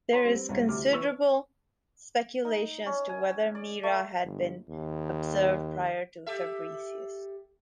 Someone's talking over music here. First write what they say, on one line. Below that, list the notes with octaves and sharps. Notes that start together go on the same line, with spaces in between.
There is considerable speculation as to whether Mira had been observed prior to Fabricius.
B4 C#5 A#5 C6
G3 C4
C2 G#2 C#5
D2 C3 D6 F6
E3 B4 C#6 E6
D#4
C#4
G#5
D5
A3
G1
D#2
G4 A4 E5